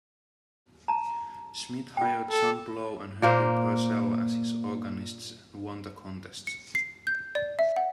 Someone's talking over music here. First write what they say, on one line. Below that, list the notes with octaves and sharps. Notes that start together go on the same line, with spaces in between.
Smith hired John Blow and Henry Purcell as his organists and won the contest.
A5 A#5
F4 G5
A4
A#2 A#3 C5
C#7
C7
G6
D5
E5
F#5